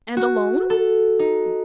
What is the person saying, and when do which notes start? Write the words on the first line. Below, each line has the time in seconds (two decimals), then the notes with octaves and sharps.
"And alone?"
0.17 F#4
0.70 A4
1.19 D#4